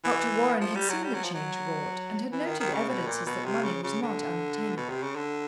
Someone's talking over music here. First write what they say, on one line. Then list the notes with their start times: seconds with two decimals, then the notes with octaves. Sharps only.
Dr. Warren had seen the change wrought, and had noted evidences that money was not unobtainable.
0.04 E3
0.61 F3
0.75 G3
0.89 F#3
1.04 G3
1.14 F#3
1.24 F3
1.34 F#3
2.32 E3
2.46 D#3
2.60 D#3
2.74 C#3
2.89 B2
3.07 A#2
3.26 B2
3.45 C3
3.65 C#3
3.83 C#3
4.02 D3
4.77 B2
4.89 C3
5.03 C#3
5.16 D3